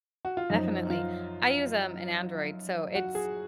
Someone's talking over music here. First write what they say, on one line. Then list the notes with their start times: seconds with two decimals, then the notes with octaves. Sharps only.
definitely. I use, um, an Android, so it's
0.25 F#4
0.37 F4
0.50 F#2 F3 D#4
0.90 F4
2.95 F#4
3.15 G#4